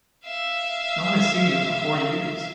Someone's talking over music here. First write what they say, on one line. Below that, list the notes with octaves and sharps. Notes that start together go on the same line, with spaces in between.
No one has seen you for four years.
E5 F5